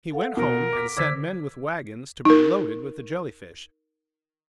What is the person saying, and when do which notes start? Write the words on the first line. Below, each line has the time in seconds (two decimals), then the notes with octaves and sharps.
He went home, and sent men with wagons to be loaded with the Jelly-fish.
0.12 A4 F5 F#5
0.37 B2 A#4
0.73 D6 B6
0.97 D3 C5 D6 E6 G#6 B6
2.25 D#4 A#4